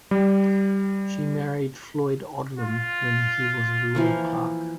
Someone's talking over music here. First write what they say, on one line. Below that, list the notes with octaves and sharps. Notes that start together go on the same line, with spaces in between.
She married Floyd Odlum when he was a law clerk.
G3
F4
E3 F3 A#3